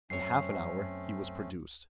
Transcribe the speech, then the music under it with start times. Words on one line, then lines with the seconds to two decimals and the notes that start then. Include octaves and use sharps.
In half an hour he was produced.
0.10 F#2 A3 C4 C#4 C#5 C7